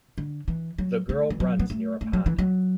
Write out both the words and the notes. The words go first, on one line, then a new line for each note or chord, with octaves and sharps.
The girl runs near a pond.
D3
E3
F#3
A3
E3
F#3
B3
A3
A3
F#3
E3
F#3